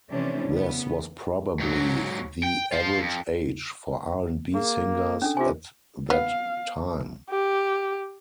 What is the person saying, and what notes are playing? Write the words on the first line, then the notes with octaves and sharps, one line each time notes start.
This was probably the average age for R and B singers at that time.
C3 E3 F3 A3 C#4 D4
C#3 B3
G#2 F#3
G5
F4 C5
F2
A#3 G#4
C#4 D4 A4
C3 F4 G4 G#5
B3 F5
G4